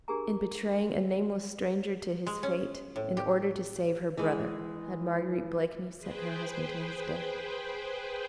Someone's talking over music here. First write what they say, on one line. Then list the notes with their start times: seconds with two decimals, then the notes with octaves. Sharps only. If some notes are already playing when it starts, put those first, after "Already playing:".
In betraying a nameless stranger to his fate in order to save her brother, had Marguerite Blakeney sent her husband to his death?
0.08 D4 G4 G#4 A#4 G#5 A#5
2.27 G#3
2.43 C#4
2.96 A2
3.17 G4
4.17 E3 G#3
5.98 G#4 B4 C5 G5